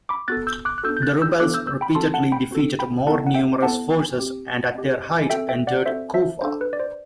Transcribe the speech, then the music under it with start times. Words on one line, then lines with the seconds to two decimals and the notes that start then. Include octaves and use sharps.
The rebels repeatedly defeated more numerous forces and at their height entered Kufah.
0.09 B5 D6
0.28 B3 F#4 A4 F#6 A6
0.47 E6 G6
0.65 D6 F#6
0.78 F#6
0.83 B3 D4 F#4 A4 E6 G6
0.97 G6
1.02 F#6 A6
1.22 E6 G6
1.39 B3 D4 F#4 A4 D6 F#6
1.54 E6 G6
1.67 E6 G6
1.81 G5 B5
1.95 C4 F#4 A4 A5 C6
2.14 F#5 A5
2.32 G5 B5
2.51 C4 F#4 A4
2.79 G5 B5
3.07 B3 E4 A4 F#5 A5
3.27 F#5
3.34 E5 G5
3.62 B3 E4 A4 F#5 A5
4.18 C4 G4
4.74 C4 G4
5.30 C4 F#4 A4 E5 G5
5.49 E5 G5
5.67 D5 F#5
5.86 C4 F#4 A4 C5 E5
6.14 C5 E5
6.41 D4 A4 C5
6.61 B4
6.73 D5
6.80 C5